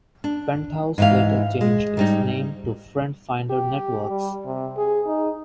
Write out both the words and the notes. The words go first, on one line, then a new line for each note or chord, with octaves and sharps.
Penthouse later changed its name to FriendFinder Networks.
D4
G#2 E3 F5
G#3
G#2 G3 D#4
G4
G3
C3
G#4
D#4